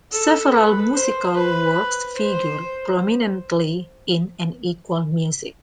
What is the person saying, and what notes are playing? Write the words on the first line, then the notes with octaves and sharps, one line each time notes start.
Several musical works figure prominently in "An Equal Music".
A4
B4
C5
B4
C5